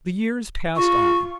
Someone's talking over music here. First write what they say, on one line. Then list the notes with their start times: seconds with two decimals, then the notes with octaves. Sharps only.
The years passed on.
0.76 F4 C#6